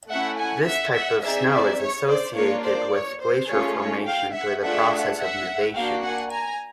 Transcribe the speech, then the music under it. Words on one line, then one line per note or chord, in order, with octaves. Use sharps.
This type of snow is associated with glacier formation through the process of nivation.
A3 C#4 E4 E5 F#5
F#5 G#5
E5 F#5
E5 F#5
C4 D#4 G#4 D5 E5
D5 E5
C#5
C5 D5
A#3 D4 F4 C#5
C5 D5
C#5
C5
A3 C#4 F4 G#4 C#5
C#5
F5 G5
E5 F#5
A3 D4 F4 G#4 E5 F#5
E5 F#5
A#3 D4 F#4 F5 G5
F#5 G#5
G#5 A#5